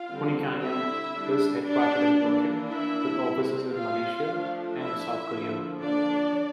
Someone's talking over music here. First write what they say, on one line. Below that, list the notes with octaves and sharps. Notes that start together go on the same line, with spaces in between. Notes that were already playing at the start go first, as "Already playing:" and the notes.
Pony Canyon is headquartered in Tokyo with offices in Malaysia and South Korea.
Already playing: F4 F5
D3 G3 C4
E4 E5
G3 D4
D4 D5
E3 A#3 D4
E4 E5
G3 C4
F4 F5
F3 A3 D4
E4 E5
D3 F3 A#3
D4 D5